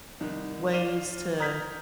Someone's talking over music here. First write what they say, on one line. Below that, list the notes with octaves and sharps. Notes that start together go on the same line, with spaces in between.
ways to
C2 D#3
F4 D5 F5 D#7 G7
A#5 D#6 F6 G6 G#6 B6